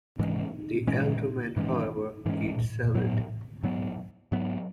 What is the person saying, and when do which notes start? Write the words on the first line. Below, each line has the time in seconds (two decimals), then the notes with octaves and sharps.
The Alderman, however, eats salad.
0.19 G#2 E3 G#3 C#4
0.87 G#2 E3 G#3 C#4
1.57 G#2 E3 G#3 C#4
2.26 G#2 E3 G#3 C#4
2.95 G#2 F#3 B3
3.63 G#2 F#3 B3
4.32 G#2 F#3 B3